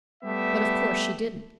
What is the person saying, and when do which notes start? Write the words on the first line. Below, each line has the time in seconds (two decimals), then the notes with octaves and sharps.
But of course she didn't.
0.24 G3 A3 B3 G4 E5